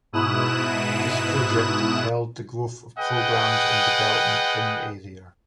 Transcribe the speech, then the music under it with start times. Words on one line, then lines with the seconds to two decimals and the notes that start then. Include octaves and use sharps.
This project propelled the growth of programs and development in the area.
0.13 G#2 B2 E4 D#6 F#6 E7
2.99 G#4 B4 D#5 F#5 G5